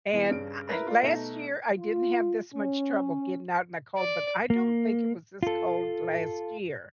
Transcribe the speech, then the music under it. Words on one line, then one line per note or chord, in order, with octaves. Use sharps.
And eh last year, I didn't have this much trouble getting out in the cold, but I don't think it was this cold last year.
B2 E3
G2 C#3 D7
E4 A#4 B4
F4 A#4 D5
B2 A3 D#4 E5 A#6
F4
C#4
D5
A#3
F4 A4